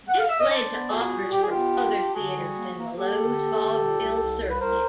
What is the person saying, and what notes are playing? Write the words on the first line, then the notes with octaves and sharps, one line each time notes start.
This led to offers from other theaters in the Loew's Vaudeville circuit.
F#5
F5
E5
D#5
D4 C5 D5
B3
A#2 F#4 G#4
G3
A#2 G4
G#4
B3 F4 G4
D4
D4
D3 F#4 G#4
G3
A#3
A#3
A#3 G4 A4
D3
A#3
D3
A#2
C2
C2
C2
B4
C2 A#4 C5